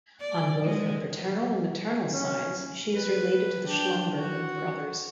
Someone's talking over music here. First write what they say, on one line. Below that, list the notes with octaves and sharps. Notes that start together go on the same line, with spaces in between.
On both her paternal and maternal sides she is related to the Schlumberger brothers.
D5
G#3
C#4
B4
D4 G5
F#4